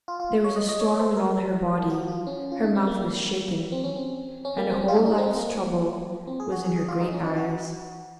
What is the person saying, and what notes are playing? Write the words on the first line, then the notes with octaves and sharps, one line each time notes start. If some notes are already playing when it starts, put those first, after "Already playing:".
There was a storm in all her body; her mouth was shaken, and a whole life's trouble was in her great eyes.
F4
F4
C#5
D#5
D#5
C#5
C5
A#4
F#4
F4
C#4
F4
D#4
C4
A#3
C4
C#4
C4
C#4
A#3
C4
C#4
F4
D#4
D#4
C4
A#3
C4
G#4
F#4
G#4
G#4
F4
D#4
C#4
D#4
F#4